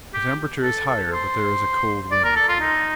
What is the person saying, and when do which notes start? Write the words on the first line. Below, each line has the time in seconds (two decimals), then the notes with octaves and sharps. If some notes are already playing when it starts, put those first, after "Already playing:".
The temperature is higher, but there is a cold wind to-night.
0.14 G4
0.63 A4
0.88 A4
1.13 C5
2.11 D5
2.24 A#4
2.36 A4
2.49 F4
2.60 D#4